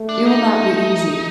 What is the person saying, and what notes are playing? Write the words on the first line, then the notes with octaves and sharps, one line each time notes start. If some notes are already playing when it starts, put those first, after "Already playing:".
It will not be easy.
Already playing: A3
D4
D#4